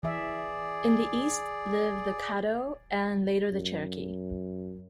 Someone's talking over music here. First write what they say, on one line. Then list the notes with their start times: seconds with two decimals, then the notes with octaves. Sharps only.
In the East lived the Caddo and later the Cherokee.
0.03 E3 G#4 D5 E5
3.53 F#2